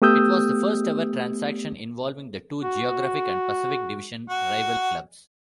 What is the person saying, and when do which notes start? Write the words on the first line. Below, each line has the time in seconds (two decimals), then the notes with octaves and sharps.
It was the first-ever transaction involving the two geographic- and Pacific Division-rival clubs.
0.02 A3 B3 G4 D#6 E6 G6
2.62 F#4
4.29 F#4